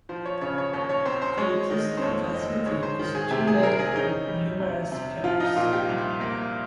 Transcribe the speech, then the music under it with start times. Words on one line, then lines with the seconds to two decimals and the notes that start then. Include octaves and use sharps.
The existing facility is two lanes with numerous curves.
0.09 F3 C5
0.26 C#5
0.41 C#3 C#5
0.58 C#5
0.73 D#2 C#5
0.89 C#5
1.05 C4 C5
1.22 C5
1.37 G#3 C#5
1.70 D#3 D#5
1.97 C5
2.02 F2 C#5
2.34 C4 D#5
2.66 G#3 C#5
2.83 C5
2.99 D#3
3.15 G#4
3.31 C3 G4
3.47 G#4
3.63 C4 A#4
3.79 G#4
3.95 C#4 D#4
4.28 G3
4.60 C3
4.92 C3
5.24 F3 F4
5.40 D#4
5.56 A#2 F4
5.73 G4
5.89 C2
6.21 A#3